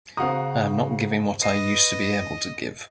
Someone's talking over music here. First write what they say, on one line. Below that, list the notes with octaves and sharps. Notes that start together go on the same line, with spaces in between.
I am not giving what I used to be able to give.
C#3 C4 F#4 F5 F#5 A#5 D#6
B4 D#5 C7